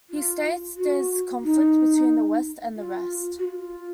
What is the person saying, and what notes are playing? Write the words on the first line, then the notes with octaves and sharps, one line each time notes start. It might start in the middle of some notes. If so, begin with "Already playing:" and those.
He states there is conflict between the West and the Rest.
F4
F#4
D#4
F4
F#4
F4